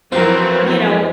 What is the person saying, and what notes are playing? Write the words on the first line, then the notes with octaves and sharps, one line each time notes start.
you know,
F2 E3 F#3 C4 F4 A#4 C5